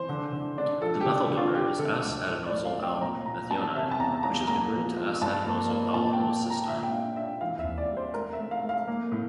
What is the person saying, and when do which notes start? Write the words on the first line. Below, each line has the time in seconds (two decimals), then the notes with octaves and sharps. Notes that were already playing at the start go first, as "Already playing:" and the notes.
The methyl donor is S-adenosyl-L-methionine, which is converted to S-adenosyl-L-homocysteine.
Already playing: E3 C5
0.09 D3
0.33 D3
0.58 D4
0.81 F3 A4
1.01 G4
1.06 D3
1.30 D3 G4
1.37 F4
1.54 G3 G4
1.79 D3 A4
2.03 D2
2.28 A2 C5
2.46 D5
2.52 A2
2.65 F5
2.77 C4
2.83 G5
3.01 A#2 A#5
3.26 A#2 A#5
3.50 G3 A5
3.75 C3 E5
3.91 A5
3.99 E2 A#5
4.23 E2 A#5
4.47 A#3 A#5
4.73 F3
4.97 F3
5.21 G2 A5
5.46 A#3
5.71 A#3
5.94 A#2 A5
6.13 G5
6.19 A#3
6.44 A#2
6.50 A#5
6.68 A#2 E5
6.83 G5
6.92 D4 F5
7.16 D4 E5
7.41 E3 F5
7.59 E5
7.65 E3
7.78 D5
7.90 G3
7.97 C5
8.14 A3 A#4
8.33 E5
8.39 A3
8.51 F5
8.63 A3
8.69 F5
8.87 A#3
9.12 A2